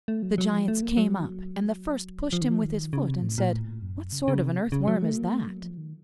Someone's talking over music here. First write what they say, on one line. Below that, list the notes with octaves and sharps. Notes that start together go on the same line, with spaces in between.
The giants came up, and the first pushed him with his foot, and said, 'What sort of an earthworm is that?'
A3
F#3
F#3
F3
A3
A#3
F#3
F3
D#3
F3
D#3
C#3
C3
A2
A#2
A2
F#2
C#3
C#3
C3
C#3
F#3
A3
A#3
A3
F#3
F3
D#3